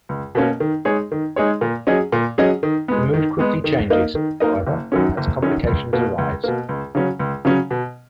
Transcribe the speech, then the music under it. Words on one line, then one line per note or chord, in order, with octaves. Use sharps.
The mood quickly changes, however, as complications arise.
C#2
B2 A#3 C#4
D#3
G#3 D#4 G#4 C#5
D#3
G#3 D#4 G#4 C#5
A#2
F#3 C#4 G#4 D#5
A#2
F#3 C#4 G#4 D#5
D#3
G#3 B3
D#3
G#3 B3
D#3
A#3 D#4 A#4 D#5
D#3
A#3 D#4 A#4 D#5
F#1
F#2 D#3 F#3 C#4
F#1
F#2 D#3 F#3 C#4
C#2
B2 A#3
C#2
B2 A#3
C#2
C#3 F#3 C#4
C#2
C#3 F#3 C#4
B2